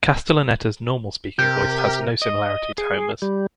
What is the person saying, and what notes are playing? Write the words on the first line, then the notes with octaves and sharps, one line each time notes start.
Castellaneta's normal speaking voice has no similarity to Homer's.
C3 G4 A#4 G6
D#5
G#4
G3